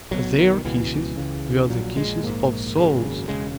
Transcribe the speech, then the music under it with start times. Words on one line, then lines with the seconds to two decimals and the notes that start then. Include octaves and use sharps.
Their kisses were the kisses of souls.
0.11 B1 B2 F#3
0.38 D#3
0.64 C#2 B2 E3
1.17 C#2 C#3
1.70 A#1 A#2 F#3
1.97 G#3
2.23 A#1 G#2 A#3
2.76 G#1 F#2 C#3
3.28 E1 D#2 C#3 G#3